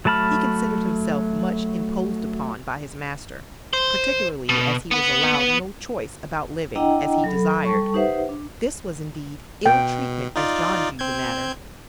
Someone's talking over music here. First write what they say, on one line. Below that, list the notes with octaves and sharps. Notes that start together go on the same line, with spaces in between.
He considered himself much "imposed upon" by his master, particularly as he was allowed "no choice about living" as he "desired." This was indeed ill-treatment as John viewed the matter.
F#3 A3 A5 B5 F6
C5
B2
B3 F#5
D4 E4 D#5 F#5 G5 A#5
F#3 A4 B5
G3 A4 A5 C#6
D#4 G4 B4 C5 E5 F#5
D4
B2 G5
D#4 F4 D5
C4 G6 G#6